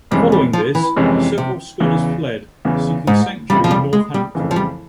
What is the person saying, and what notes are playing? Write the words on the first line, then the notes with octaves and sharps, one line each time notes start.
Following this, several scholars fled seeking sanctuary in Northampton.
F2 C3 E3 G3 G#3 C#4
G3
F3
E3
F2 C3 E3 G#3 C#4
C3
E2 C#3 E3
E2 C#3 E3
G#2
F2 C#3 E3 G3
F3
G3
G#3
G3
F2 C#3 E3
F3
G3